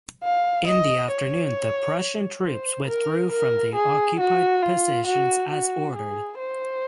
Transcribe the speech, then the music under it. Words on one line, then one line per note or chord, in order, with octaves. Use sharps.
In the afternoon the Prussian troops withdrew from the occupied positions as ordered.
F5
D#5
C#5
C5
A#4
A#4
G#4
F#4
F4
F#4
F#4
G#4
C5